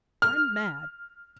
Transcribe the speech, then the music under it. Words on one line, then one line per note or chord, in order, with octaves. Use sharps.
I'm mad!
F6